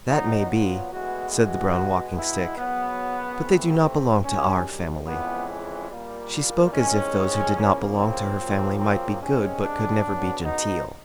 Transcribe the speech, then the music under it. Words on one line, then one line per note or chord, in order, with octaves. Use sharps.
"That may be," said the Brown Walking-Stick, "but they do not belong to our family." She spoke as if those who did not belong to her family might be good but could never be genteel.
A#2 F#3 B3 D#4
F4
A2 E3 G#3 B3 F#4
F#4
B2 G#3 B3
E4
F#2 C#3 F#3 B3
C3 E3 A3
C4
F#2 D#3 G3 C#4
F2 C#3 E3 G#3 B3
A#2 G3 A#3
E2 C3 D#3 G#3 C#4
E2 C#3 F3 A#3
C4
F#2 C#3 F3 A#3
C4
C3 D#3 G#3 C#4
D4
F#2 C#3 F#3 B3
D#4